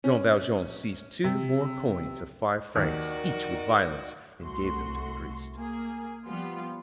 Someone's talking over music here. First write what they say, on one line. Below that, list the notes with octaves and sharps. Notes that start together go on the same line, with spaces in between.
Jean Valjean seized two more coins of five francs each with violence, and gave them to the priest.
C#4
C3
D#2 D#3 F#4 A#4 D5
C2 A3 F#4 C6
A#3 G#4
F3 G3 B3 F4